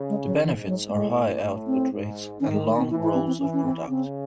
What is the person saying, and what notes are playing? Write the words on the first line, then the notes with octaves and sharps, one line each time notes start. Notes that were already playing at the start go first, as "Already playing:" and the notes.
The benefits are high output rates and long rolls of product.
Already playing: C#3
G#3
F#3
G#2 E3
F#3
A3
A2 G#3
A2
C4
G#2
D#3 C#4
G#3
A3
C4
E3 E4
E4
C4
C4
E3 C#4
C#4
C4
C#3 C4